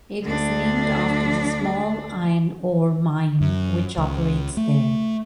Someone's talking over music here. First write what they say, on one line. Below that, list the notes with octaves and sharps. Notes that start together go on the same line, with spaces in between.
It is named after the small iron ore mine which operates there.
D2 D4
F#2
C#2
A3